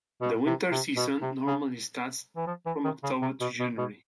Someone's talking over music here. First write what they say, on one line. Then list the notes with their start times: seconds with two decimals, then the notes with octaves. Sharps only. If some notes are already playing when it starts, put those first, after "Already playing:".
The winter season normally starts from October to January.
0.21 B2
0.46 C3
0.72 C3
0.97 B2
1.22 C3
1.47 C#3
2.37 E3
2.47 F3
2.66 E3
2.84 D#3
3.03 C#3
3.22 C3
3.41 B2
3.60 B2
3.78 B2